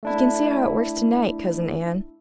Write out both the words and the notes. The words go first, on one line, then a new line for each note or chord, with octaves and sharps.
"You can see how it works to-night, Cousin Ann!"
A3 D4 E4